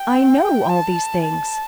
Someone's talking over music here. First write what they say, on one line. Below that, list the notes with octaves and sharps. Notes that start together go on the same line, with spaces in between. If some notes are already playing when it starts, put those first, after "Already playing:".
I know all these things.
Already playing: G5
A5
A5